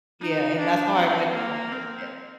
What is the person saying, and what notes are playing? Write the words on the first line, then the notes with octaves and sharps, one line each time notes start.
Yeah, and that's how I measure progress, yeah.
D#4
D4
C4
A#3
C4